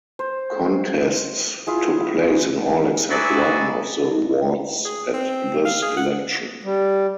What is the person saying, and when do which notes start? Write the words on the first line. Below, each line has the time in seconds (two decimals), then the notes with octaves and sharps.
Contests took place in all except one of the wards at this election.
0.19 C5
1.67 E4 F4 G#4
3.10 F#3 E4 G#4 D5 E5 F#5
4.85 G#4
5.14 C4
5.65 F5
5.82 G#4
5.97 F#5
6.64 G3